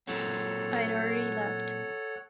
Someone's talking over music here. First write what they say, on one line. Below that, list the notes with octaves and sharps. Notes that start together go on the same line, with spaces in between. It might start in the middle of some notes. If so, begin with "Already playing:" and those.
I’d already left.
A#2 F#3 C4 A4 C#5 F#5